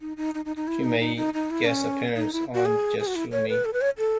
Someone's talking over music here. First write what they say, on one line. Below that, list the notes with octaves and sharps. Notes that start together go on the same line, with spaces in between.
She made guest appearances on Just Shoot Me!
D#4
D#4
D#4
D#4
D#4
E4
D#4
D#4
D#4
D#4
E4
C#4
D#4
E4
F#4
G#4
G#4
F#4
E4
C#5
B4
A4
B4
C#5
A4